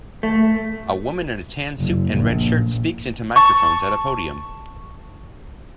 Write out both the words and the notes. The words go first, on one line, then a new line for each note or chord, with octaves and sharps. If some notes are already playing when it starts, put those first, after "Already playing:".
A woman in a tan suit and red shirt speaks into microphones at a podium.
A3
F#1
A#1
A5 C#6